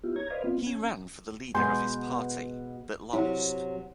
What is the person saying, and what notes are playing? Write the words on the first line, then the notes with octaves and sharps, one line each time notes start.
He ran for the leader of his party, but lost.
B3 E4 F4 G4
C#5 A#5 G#6
B4 C5 D5 D#5 F5
B3 C4 F4
C#4 G#5
B2 G#3 B3 G#5 C6 G6
C3 F#3 E4